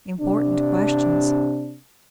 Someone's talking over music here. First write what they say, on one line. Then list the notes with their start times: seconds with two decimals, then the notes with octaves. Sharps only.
Important questions!
0.21 C3 D4